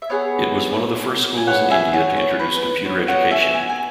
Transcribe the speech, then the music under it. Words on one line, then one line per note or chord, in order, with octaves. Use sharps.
It was one of the first schools in India to introduce computer education.
E5
B3 G#4 C#5 F#5
G#5
B3 G#4 C#5 F#5
E5 G#5
C#5 F#5
C#5
B4
B4
B3 F#4 C#5
C#5 F#5
E5 G#5
G#5
G#5